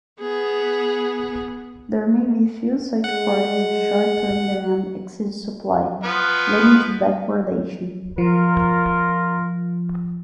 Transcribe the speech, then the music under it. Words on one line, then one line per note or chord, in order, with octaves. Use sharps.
There may be few such parties if short-term demand exceeds supply, leading to backwardation.
B3 G#4
G#3 F#5
F3 B3 B4
F3 F4 A#4